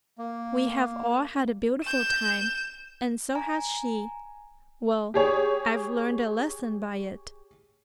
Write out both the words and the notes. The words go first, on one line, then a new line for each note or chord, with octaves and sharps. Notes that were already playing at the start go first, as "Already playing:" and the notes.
We have all had a beautiful time, and so has she. Well--I've learned a lesson by it.
A#3
G6 E7
G#5 A#5
G4 G#4 C#5